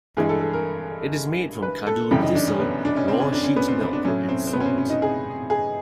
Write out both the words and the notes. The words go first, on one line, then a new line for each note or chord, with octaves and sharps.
It is made from cardoon thistle, raw sheep's milk and salt.
G2 E3 G#3 G#4
A4
A4
A#4
B4
A4
F#2 C#3 E3 G3 G4
D#4
D4
C#4
B3
D4
C#4
C4
C#4
D4
C#4
B3
C4
C4
D4
A2 F#3 C#4
C4
C4
B3
C#4
C4
C#4
D#4
G#4
G#4